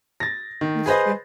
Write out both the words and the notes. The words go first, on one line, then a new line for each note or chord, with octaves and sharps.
It's true.
A6 A#6
D#3
G#4 B4 C5 D#5